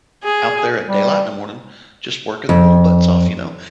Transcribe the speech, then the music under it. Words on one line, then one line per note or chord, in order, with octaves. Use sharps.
out there at daylight in the morning, just working their little butts off, you know?
G#4
G3
F2